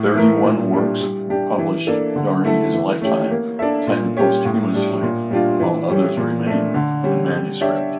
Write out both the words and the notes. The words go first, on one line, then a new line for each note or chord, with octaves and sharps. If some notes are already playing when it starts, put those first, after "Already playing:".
Thirty-one works were published during his lifetime, ten posthumously while others remain in manuscript.
Already playing: A2
E3 A3 E4 A#4
A#2
G3 D4
G3
D4 G4
E3
A#3 D4 A4
D3
A3 E4 A4
E3
A3 C#4 G4 C#5
A#3
D4 A4 E5
A#2
G3 C#4 G4 C#5
A2
G3 D4
A#2
G3 D4 F4
E3
G3 C#4
A#2
A3 D4
D3
G3 C#4
G3
D4 G4 C#5 E5